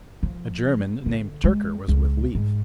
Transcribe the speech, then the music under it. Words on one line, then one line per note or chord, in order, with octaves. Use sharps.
A German, named Tyrker, was with Leif.
F3
D3
G#3
C#2
G#2